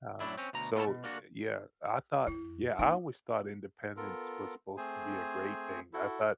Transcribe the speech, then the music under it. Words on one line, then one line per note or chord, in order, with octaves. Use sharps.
uh, so, y yeah, I thought Yeah, I always thought independence was supposed to be a great thing, I thought
F#2 A2 F#3 D4 E4
C4 C#4
D2 B2 A#5
A#3 B3 F4 A4 C#5 A5
B2
A#3 D4 F#4
F2 E4
A#3 D#4
B3 F4 A4 A#4
A3 C4 G#4 C5 G#5
E4 F#4 A4